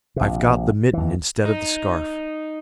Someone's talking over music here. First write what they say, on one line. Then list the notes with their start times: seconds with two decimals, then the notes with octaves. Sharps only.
I've got the mitten instead of the scarf.
0.16 A#1 C3
0.93 D#2 E3
1.45 D#4